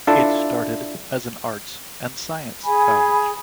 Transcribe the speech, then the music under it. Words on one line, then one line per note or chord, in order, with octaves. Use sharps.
It started as an Arts and Science college.
D4 E4 F4 A4
G#4 G#5 B5